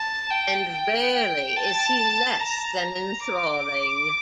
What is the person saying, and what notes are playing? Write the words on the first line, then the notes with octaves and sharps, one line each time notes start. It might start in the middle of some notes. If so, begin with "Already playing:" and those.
And rarely is he less than enthralling.
Already playing: A5
G5
G5
G5
A5
A#5
D6